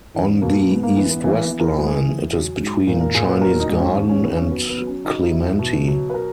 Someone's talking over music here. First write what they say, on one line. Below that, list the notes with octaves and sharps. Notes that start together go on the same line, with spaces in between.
On the East West Line, it is between Chinese Garden and Clementi.
E2 C#4
B2 A#3
G#2 B3
A#3
E3 B3
B3
E3 A#3
B3
E3
A#4
G#4
G#3 F#4
G#4
E3
F#3
G#2
A#2 A#4
A#4
A#2 G#4
B4
F#3 A#4
D#4
G#2
C#4
D#2
C#4
D#2 B3
C#4
F#3 B3
B3
F#3
C#4
F#3 D#4
F#3 E4
B2
F#3
B4
A#4